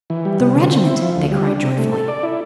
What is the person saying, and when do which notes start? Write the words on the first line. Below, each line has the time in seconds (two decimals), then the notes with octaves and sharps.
"The regiment!" they cried joyfully.
0.10 E3
0.25 G3
0.40 C3
0.55 D3
0.71 C4
0.86 E4
1.01 F3
1.16 D2
1.31 G3
1.47 D4
1.62 C3
1.78 A3
1.92 A4
2.08 D5
2.23 E4